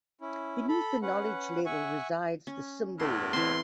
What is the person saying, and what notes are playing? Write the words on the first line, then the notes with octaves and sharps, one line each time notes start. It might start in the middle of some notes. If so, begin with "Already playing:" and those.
Beneath the knowledge level resides the symbol level.
C#4 E4
A4 B5
C#4 B4 F#5
E5 F#5 G#5 C#6
C#4
E2 A2 C6
E3 C4 C6